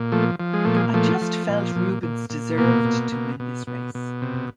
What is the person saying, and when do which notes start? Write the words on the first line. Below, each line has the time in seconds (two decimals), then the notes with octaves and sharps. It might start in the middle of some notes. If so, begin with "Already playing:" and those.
I just felt Rubens deserved to win this race.
Already playing: A#2
0.12 F3 A3
0.40 F3
0.53 G#3
0.65 A#2 A3
0.76 G#3
0.94 F3 A3
1.21 F3
1.48 A#2
1.76 A#2
2.03 A#2
2.30 A#2
2.58 B2 A#3
2.85 B2
3.12 B2
3.40 B2
3.67 B2
3.95 B2
4.22 C3